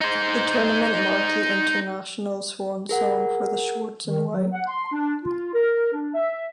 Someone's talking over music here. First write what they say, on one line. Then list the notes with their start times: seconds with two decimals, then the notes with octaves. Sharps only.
The tournament marked the international swansong for Schwarz and White.
0.01 D#4 C5
2.89 G#4 A#4 F#5
4.05 D#3
4.32 F#3
4.52 F#5
4.68 C6
4.92 D4
5.23 F4
5.54 A#4
5.93 D4
6.14 E5